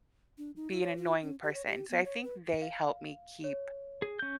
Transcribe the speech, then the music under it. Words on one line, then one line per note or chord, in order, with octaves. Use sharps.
be an annoying person, so I think they help me keep
D4
D#4
E4
C#5
F4
C#4
G4
C#5
G4
B3
C#5
B4
F5
C#5
G#4
C#4 G6